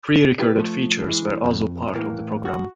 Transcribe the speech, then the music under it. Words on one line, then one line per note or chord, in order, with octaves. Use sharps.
Pre-recorded features were also part of the programme.
E4 G4 B4
F3 A3
E3 G#3
F2
A2 E3 A#3
F#4